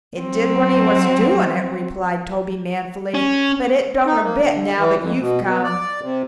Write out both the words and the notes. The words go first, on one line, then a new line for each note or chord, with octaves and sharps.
"It did when he was doin' it," replied Toby, manfully, "but it don't a bit now that you've come."
F#3 C4
C#4
D#4
A#3
D3
E3
F2
B2
B2
D5
C3